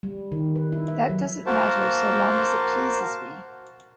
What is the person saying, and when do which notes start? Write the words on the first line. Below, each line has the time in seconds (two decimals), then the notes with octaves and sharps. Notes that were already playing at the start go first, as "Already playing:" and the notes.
That doesn’t matter, so long as it pleases me.
0.03 G3
0.32 D#3
0.56 B4
0.72 E4
0.88 E5
1.10 F#3
1.46 A#3 F#4 A#4 C5 A5